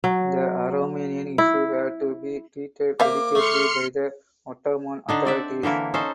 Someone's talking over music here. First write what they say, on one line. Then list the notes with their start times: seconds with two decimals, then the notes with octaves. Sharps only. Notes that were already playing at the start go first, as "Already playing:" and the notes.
The Aromanian issue had to be treated delicately by the Ottoman authorities.
0.04 F#3
1.38 E4
3.00 A#3 C5 E5 F5 D6
3.35 A3 C6 F6 C#7
5.09 D3 D4 D#4
5.25 C4 D5 E5 F#5
5.63 D3 E3 A#3 E4
5.94 C#4 D#4 A4 C5